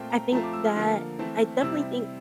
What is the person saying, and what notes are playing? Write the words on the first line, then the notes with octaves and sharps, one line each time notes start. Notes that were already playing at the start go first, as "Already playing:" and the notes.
I think that I definitely think
Already playing: A#2 A3 C4 F4 G5
A#5
F3 A3 C4 F4 A#5
D6
E6
F6
D3 F3 A#3 F6
E3 A3 C4 E4
C3 G3 C4 E4 E6